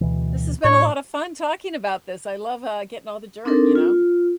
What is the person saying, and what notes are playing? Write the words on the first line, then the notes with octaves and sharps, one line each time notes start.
this has been a lot of fun talking about this, I love, uh, getting all the dirt, you know?
D2 B2 E3
A2 C#5
C4 D4 D#4 A4 A#4
F4